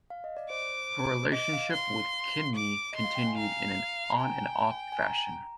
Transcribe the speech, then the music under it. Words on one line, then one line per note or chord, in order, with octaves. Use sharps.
Her relationship with Kidney continued in an on-and-off fashion.
F5
D#5
D5
C5 D6
D#5 D6
F5
C6
D6
D#5 C6
F5
G5
G#5
F5 A#5
A#5
G5 G#5
G#5
A#5